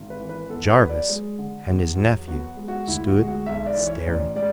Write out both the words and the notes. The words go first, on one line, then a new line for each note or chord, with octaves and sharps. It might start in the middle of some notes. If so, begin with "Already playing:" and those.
Jarvis and his nephew stood staring.
Already playing: G#1
B4
E3
B4
B3 A4
A4
B4
F#3
D5
G#3
D3
E2
F#3
B3 F#4
G#3
F#4
D2 E4
F#4
G#3
F#4
B1 E5
D5
E3
C#5
A1 D5
G#3 D5